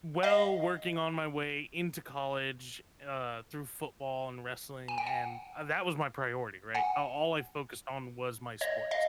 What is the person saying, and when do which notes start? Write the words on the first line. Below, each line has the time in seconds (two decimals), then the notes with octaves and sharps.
well, working on my way into college, uh, through football and wrestling, and uh that was my priority, right? Uh, all I focused on was my sports.
0.23 D#5 F5
4.88 G#5
4.98 G5
5.07 F#5 G#5
6.75 F#5 G#5
8.61 C#5 D#5
8.91 D#5 F5